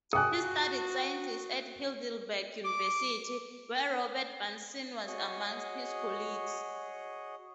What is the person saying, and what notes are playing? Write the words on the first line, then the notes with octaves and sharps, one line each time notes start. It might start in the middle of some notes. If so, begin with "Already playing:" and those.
He studied sciences at Heidelberg University, where Robert Bunsen was amongst his colleagues.
F#4 G#4 G5 G#5 D#6 F#6
D6
F#4 G#4 C#5 D#5